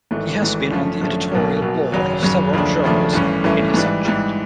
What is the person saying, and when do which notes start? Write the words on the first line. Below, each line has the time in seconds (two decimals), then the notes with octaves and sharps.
He has been on the editorial board of several journals in his subject.
0.11 G#1 G#2 E3 A3
0.42 G#1 G#2 E3 A3
0.71 F#2 D3 F3 A3 C#4
1.01 F#2 D3 F3 A3 C#4
1.32 B1 B2 F#3 A#3
1.62 B1 B2 F#3 A#3
1.92 G#1 F#2 C#3 F#3
2.22 G#1 F#2 C#3 F#3
2.53 D#2 C#3 F3 A3 D4
2.83 D#2 C#3 F3 A3 D4
3.13 A1 G2 E3 A3 C#4
3.44 A1 G2 E3 A3 C#4
3.74 G#2 E3 G3
4.05 G#2 E3 G3